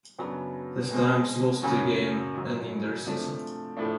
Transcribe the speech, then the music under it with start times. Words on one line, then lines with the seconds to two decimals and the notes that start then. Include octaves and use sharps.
The Stamps lost the game, ending their season.
0.19 F#2 C#3 F#3 B3 D4
0.90 B2 G#3 C4
1.62 F#2 C#3 F#3 A#3 C#4
2.34 G#2 D#3 F#3
3.05 C3 F3 A3 D4
3.77 A2 F3 A3 D4